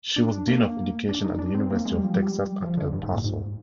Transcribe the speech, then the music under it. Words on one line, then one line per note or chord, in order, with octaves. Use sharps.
She was dean of education at the University of Texas at El Paso.
D4
A#3
D4
D#4
D4
C4
A#3
G#3
G3
F3
G3
F3
D3
G2
G#2
A#2
G#2